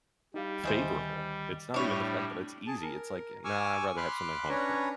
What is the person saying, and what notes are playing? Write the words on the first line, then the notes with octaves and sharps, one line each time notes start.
favorable. It's not even the fact that it's easy. It's like, "Nah, I'd rather have something home cooked."
G3 D#4 G4 F5
D2 D#3 E4 G#4 C5 D#5
A2 G3 D4 E4 C#5 D6
G#4 A5
A#4
G#5 C#6 D6 E6 F6
B5 C6 D6 F6 F#6
C#4 D4 B4 C#5 A#5